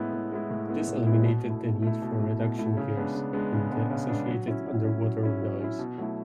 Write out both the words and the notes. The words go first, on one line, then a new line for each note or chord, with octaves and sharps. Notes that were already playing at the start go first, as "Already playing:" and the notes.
This eliminated the need for reduction gears and their associated underwater noise.
Already playing: A2 G#3 B3 E4
A2
G#3 B3 E4
A2
G#3 B3 E4
A2
G#3 B3 E4
B2
A3
E4
B2
A3 E4
B2
A3 E4
B2
A3 E4
C#3
G#3 B3 D4
C#3
G#3 B3 D4
C#3
G#3 B3 D4
C#3
G#3 B3 D4
F#3
C#4 E4
F#3
C#4 E4
F#3
C#4 E4
F#3
C#4 E4
B2
F#3 A3 E4